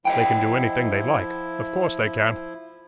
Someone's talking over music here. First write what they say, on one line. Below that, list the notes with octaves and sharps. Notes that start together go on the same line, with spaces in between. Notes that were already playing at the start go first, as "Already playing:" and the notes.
They can do anything they like. Of course they can.
F3 E4 D#5 F#5 G5